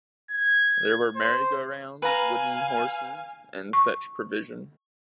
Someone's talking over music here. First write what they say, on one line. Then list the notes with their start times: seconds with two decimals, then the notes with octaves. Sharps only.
There were merry-go-rounds, wooden horses, and such provision.
0.31 G#6
1.16 C5
2.02 B4 F5 G#5 A#5
3.73 C#6